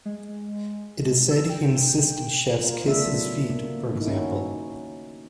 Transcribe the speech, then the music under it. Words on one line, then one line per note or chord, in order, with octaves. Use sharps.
It is said he insisted chiefs kiss his feet, for example.
G#3
E6
G5
F4 A#4
C#3 A3 B3 D4 E5
F#3 E4
A#3
D#3 A#3 D#4 E4
C#4 F#4